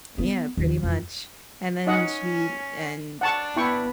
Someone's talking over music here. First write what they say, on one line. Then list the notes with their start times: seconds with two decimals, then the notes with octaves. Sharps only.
Yeah, pretty much. And then she and
0.18 B3
0.57 D#2
0.83 F2
1.87 C#4 D#4 D#5 F#5
3.21 D4 F#5 A5 C#6
3.56 B3 E4 G5 C#6